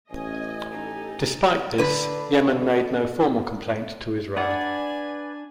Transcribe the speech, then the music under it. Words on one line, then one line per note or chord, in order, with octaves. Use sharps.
Despite this, Yemen made no formal complaint to Israel.
A1 C#4 D#5 G#5
D#4 G4 A4
D3 B4
D4 B4 D5 F#5 G#5